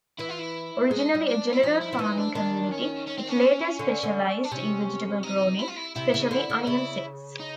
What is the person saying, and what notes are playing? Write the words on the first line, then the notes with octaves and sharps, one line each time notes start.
Originally a general farming community, it later specialized in vegetable growing, especially onion sets.
E3 E4
F4
E4
G#3 D#4
G3
D4
E4
F3 D#4
E4
F3
E3 D#4
D4
D#3 D4
C#4
C#4
C4
C#4
D3
D3
D4
C3 C#4
D#4
E4
F4
E4
C3 E4
C#3
D#4
D3 E4
D3
D#4
C#3 E4
D#4